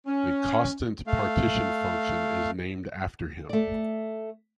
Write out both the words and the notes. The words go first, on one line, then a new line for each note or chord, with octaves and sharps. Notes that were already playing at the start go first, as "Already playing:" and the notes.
The Kostant partition function is named after him.
C#4
A3 F5
A3 D5